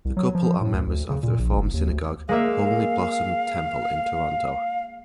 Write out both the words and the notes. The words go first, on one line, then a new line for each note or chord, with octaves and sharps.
The couple are members of the Reform synagogue, Holy Blossom Temple in Toronto.
C2
F#3
F3
A2
D2
D2
C#3
A#2
A#1
F#1
D#2
D2
G#3 A#3 E5 F5